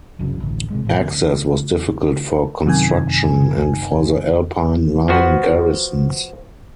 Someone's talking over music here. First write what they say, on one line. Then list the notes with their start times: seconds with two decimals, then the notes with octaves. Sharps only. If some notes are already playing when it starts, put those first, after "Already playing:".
Access was difficult for construction and for the Alpine Line garrisons.
0.19 C2 F#2 C#3 F#3
0.40 A1 D2
0.70 C3 D#3 G#3
0.85 A2 D#3 E3
0.98 D2 B3
2.66 F#2 C3 D#3 G#5
5.08 F3 B3 F#4